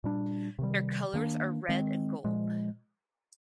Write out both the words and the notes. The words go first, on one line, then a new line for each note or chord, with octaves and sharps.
Their colors are red and gold.
A#2 G3 D4
C3 D#3 G3
D#3 A#3 D4
D#3 G#3 C4
A#2 F3 G#3